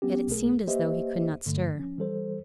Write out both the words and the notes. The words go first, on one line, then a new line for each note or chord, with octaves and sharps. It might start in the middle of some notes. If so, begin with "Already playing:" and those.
Yet it seemed as though he could not stir.
F#3 B3 C#4 G4
B1 B2 A3 G#4 A#4
A#3 G4 B4 C5 D#5 E5
G2 D3 A3
F3 C#4
E3 G3 A4 C5